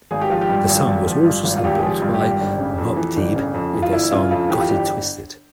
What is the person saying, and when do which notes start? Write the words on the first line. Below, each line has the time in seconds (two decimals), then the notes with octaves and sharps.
The song was also sampled by Mobb Deep in their song "Got It Twisted".
0.11 G#1 G#4
0.21 G4
0.30 F3 F4
0.41 G4
0.49 G2
0.69 G#1
0.87 G#1
1.07 F3
1.25 G2
1.44 G#1
1.58 F4
1.64 G#1 G4
1.78 F3 G#4
1.89 G4
2.02 G2
2.14 G4
2.20 G#1
2.40 G1
2.58 C#3
2.78 F2
2.97 E3
3.16 G1
3.35 C#3
3.54 F2
3.74 E3
3.82 F4
3.92 G1 E4
4.11 C#3 F4
4.31 F2 F4
4.49 E3 G4
4.61 F4
4.69 G1 G4